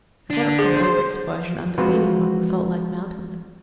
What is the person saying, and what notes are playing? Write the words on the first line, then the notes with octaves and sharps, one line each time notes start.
I got it from over-exposure and under-feeding among the Salt Lake Mountains.
D3 D4
G#4 C5
F3 G#3 C4 F4 F#4 B4